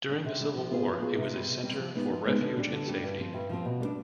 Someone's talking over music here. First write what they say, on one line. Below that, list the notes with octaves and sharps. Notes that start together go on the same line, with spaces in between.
During the civil war it was a centre for refuge and safety.
G3 D4
C3
G3 D4
F3
B3 F4 G#4
F3
B3 F4 G#4
C3
G3 C4
C3
G3 C4
F3
G#3 B3 D#4
F3
G#3 B3 D#4
D3
G3 D4 G4
D3
G3 D4 G4
G2
F3 C4
G2
F3 C4
B2
G3 B3 D4